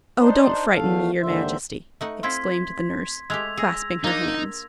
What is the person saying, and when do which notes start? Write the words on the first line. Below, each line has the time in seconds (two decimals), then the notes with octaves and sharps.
"Oh! don't frighten me, your Majesty!" exclaimed the nurse, clasping her hands.
0.19 D4 D#4 C5
0.72 E2 A3 F5
1.22 D#2 G#2 D3 D#3 C5 E5
2.01 A3 D#4 F#5
2.23 C4 E4 F4 C6 G#6 B6
3.30 G#3 A3 G4 E6 G#6 F7
3.57 G#4 E6 A#6
4.04 A#3 D4 D#4